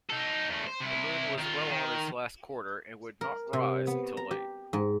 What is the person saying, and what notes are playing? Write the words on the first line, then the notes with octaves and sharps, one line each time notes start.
The moon was well on its last quarter and would not rise till late.
D#4 A4
E2 A3
C5
C3 E4
D#3 F4
D#3
A#4
C3
B3
A#5
G4
G#2